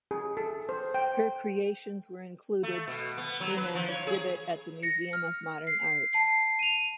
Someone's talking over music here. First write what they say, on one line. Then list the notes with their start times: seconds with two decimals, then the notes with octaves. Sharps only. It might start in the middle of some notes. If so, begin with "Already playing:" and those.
Her creations were included in an exhibit at the Museum of Modern Art.
0.11 G#4
0.37 A4
0.69 C5
0.94 G5
2.63 A3
2.88 B2
3.18 B3
3.40 F#3
3.57 B4
3.75 F3
3.89 C#5
4.07 G#4
4.82 A#6 C#7
5.13 F6
5.67 C7
6.13 A5 C7
6.59 D#7 F7